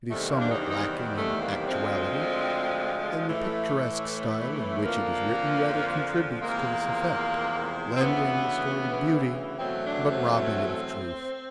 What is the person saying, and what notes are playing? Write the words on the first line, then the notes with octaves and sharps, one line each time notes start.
It is somewhat lacking in actuality, and the picturesque style in which it is written rather contributes to this effect, lending the story beauty but robbing it of truth.
E2 C3 D#3 G3 A3
A#3
D4
D#4
D#4
A3
A#3
D2 D3 F3 G#3 C4
A2 E3 A3
F2 D3 F3 A#3
E2 C3 F3 G#3 A#3
C4
D2 C#3 E3 B3
E2 B2 F#3 A3 C4
D4
C#4
C4